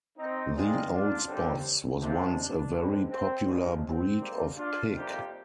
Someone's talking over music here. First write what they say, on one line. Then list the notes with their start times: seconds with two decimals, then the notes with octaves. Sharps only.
The Old Spots was once a very popular breed of pig.
0.17 C4 D#4
0.54 A#1 A#2 G#3 C4 D4 F4
0.91 D4 F4
1.27 D#2 D3 G3 C4
2.00 C2 C3 F3 G#3 C4 D4
2.36 D4
2.74 G2 D3 G#3 C4
3.10 C4
3.46 A#1 A#2 F3 G#3 D4
3.84 C4
4.19 G#2 G3 A#3
4.56 D4 F4
4.93 F2 C3 G3 A#3 D#4 G4